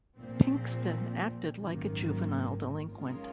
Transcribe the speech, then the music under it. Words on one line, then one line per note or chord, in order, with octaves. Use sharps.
Pinkston acted like a juvenile delinquent.
A#1 A#2 F3 C4
G#1 F#2 D#3 A#3
D#3 G#3 C#4 F4 A#4